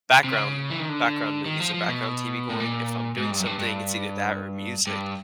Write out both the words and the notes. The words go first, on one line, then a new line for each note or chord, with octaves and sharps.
background background movies, or background TV going, if I'm doing something, it's either that or music.
C3
C#3
E3
D#3
D3
D#3
F3
F3
B2
A2
A#2
G#2
G2
F#2
G2
G2
G2